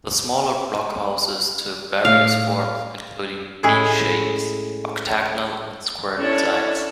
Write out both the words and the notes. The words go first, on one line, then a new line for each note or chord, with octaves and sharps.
The smaller blockhouses took various forms, including D-shapes, octagonal and square designs.
A2 F5
A2 G#3 C#4 E4 G#4
C#4 D4 E4 A4 C#5 A5